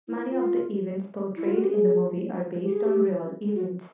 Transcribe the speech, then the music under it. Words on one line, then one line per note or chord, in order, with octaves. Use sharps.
Many of the events portrayed in the movie are based on real events.
E4
F4
E4
F4
F#4
G4
G#4
G4
G#4
G4
F#4